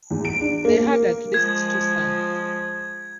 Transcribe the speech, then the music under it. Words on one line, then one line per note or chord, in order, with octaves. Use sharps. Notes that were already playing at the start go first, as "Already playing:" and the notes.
They had at least two sons.
E2
D7
D4
A#3
F3 G#3 G#6